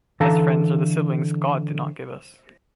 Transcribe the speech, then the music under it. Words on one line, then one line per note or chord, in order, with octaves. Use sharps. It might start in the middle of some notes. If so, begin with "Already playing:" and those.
Best friends are the siblings God did not give us.
D3 E3 A4 F5 A5 A#5